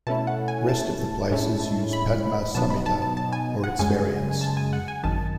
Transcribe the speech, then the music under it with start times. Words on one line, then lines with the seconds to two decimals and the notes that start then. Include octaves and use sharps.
Rest of the places use Padma samhita or its variants.
0.07 B2 A3 C#4 E4 A5
0.27 F#5
0.48 G#5
0.69 A5
1.31 A2 G#3 C#4 E4
1.93 B5
2.55 B2 F#3 B3 D#4 A5
2.70 B5
2.86 A5
3.02 A5
3.17 A5
3.33 G#5
3.64 F#5
3.79 F#2 C#3 G#3 G#5
4.41 A5
4.57 G#5
4.73 F#5
4.88 G#5
5.03 G#1 F#2 D#3 A5